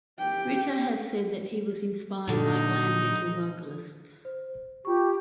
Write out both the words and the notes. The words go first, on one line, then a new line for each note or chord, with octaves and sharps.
Ritter has said that he was inspired by glam metal vocalists.
G4 G5
A#2 D3 D#4
C5
F4 G4 C#6